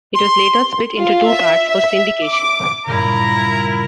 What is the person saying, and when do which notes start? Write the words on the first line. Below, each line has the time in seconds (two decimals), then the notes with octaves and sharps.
It was later split into two parts for syndication.
0.15 C6
0.99 F4
1.29 E5
1.66 E5
2.25 D6
2.86 G2 A#2 C#3 E4 A#4 A#5